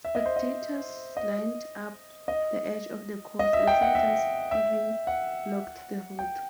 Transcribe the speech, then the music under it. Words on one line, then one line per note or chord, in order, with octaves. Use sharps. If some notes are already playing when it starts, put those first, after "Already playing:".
Spectators lined up the edge of the course and sometimes even blocked the road.
E5
D#5
C5
D#5
D#5
D#5
D#5
E5
G5
F#5
E5
E5
F#5
G5